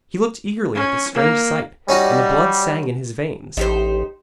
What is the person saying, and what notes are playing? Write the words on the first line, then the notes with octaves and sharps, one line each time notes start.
He looked eagerly at this strange sight, and the blood sang in his veins.
C#4
A#3
G3 C#4 D#4 F#4
A1 D#4 G4 C5